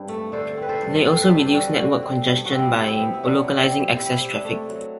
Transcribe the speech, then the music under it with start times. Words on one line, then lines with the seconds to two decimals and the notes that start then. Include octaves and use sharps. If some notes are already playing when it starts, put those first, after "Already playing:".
They also reduce network congestion by localizing access traffic.
Already playing: G2 C4
0.09 A3
0.32 D3 A4 C5
0.57 C4 B4
0.69 A4 C5
0.82 G2
1.05 C4 A4 C5
1.21 B4
1.29 G2 A4 C5
1.46 G4
1.53 G3 F#4 A4
1.78 D3 D4 F#4
2.03 C4
2.27 G2
2.45 F#4
2.51 C3 C4 E4
2.76 C3
2.87 C4 E4
2.99 B3
3.14 E4
3.23 F#3 D4
3.48 C3
3.60 C4 E4
3.72 C3
3.96 C3 C4 E4
4.21 C3
4.33 D4
4.45 A3
4.69 F#3